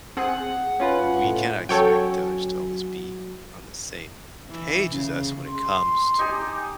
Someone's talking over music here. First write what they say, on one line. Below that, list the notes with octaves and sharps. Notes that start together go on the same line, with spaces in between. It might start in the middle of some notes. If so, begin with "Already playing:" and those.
we cannot expect others to always be on the same page as us when it comes to
C4 G#4 F#5
C#4 F4 B4
A2
F#3 C#4 G#4 A4 C#5 G5
E3
C#3
C6
D#4 G4 G#5